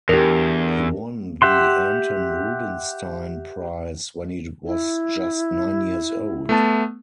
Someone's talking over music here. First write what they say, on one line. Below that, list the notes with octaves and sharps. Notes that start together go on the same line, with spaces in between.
He won the Anton Rubinstein Prize when he was just nine years old.
E2 D4 G4 A#4
G4 E5 F#5 C6
E4
A3 B3 A5